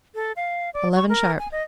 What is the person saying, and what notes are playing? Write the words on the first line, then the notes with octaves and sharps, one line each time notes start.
"Eleven sharp."
A4
F5
D5
C#6
A#4
G#5
D#5